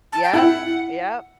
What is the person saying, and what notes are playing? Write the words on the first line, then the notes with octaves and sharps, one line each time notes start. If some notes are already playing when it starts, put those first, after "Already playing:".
yup, yup.
A5
G5
E4 F#5